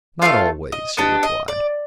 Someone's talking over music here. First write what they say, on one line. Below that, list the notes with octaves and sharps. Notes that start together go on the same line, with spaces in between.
"Not always," he replied.
A3 C4 F4 F5
D#5
B3 D4 G4 D#5
D#5
D5